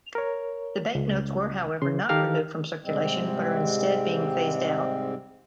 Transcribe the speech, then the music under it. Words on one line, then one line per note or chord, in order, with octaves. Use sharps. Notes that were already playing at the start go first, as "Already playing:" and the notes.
The banknotes were however not removed from circulation, but are instead being phased out.
A#4 C#5
C#2
C#3 C6
D#3 G4 A4 A#4 F5 F6
G#2 C3 G3 G#3 C4